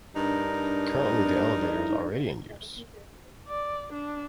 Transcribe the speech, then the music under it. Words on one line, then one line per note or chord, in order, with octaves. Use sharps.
Currently, this elevator is already in use.
G2 D4 D#4 A#4
D5
D4